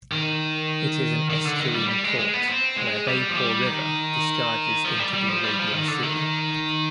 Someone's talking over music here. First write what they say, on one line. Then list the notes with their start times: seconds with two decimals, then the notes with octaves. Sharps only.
It is an estuarine port, where Beypore river discharges into the Arabian Sea.
0.12 D#3
1.30 D#3
1.45 D3
1.60 D#3
1.74 G3
1.89 G3
2.04 G#3
2.19 G#3
2.34 B3
2.48 C4
2.78 G#3
3.08 G3
3.30 F3
3.37 G3
3.66 D#3
4.84 F3
4.99 G3
5.14 G3
5.29 F3
5.44 G3
5.59 F3
5.74 D#3
5.88 D3
6.03 D#3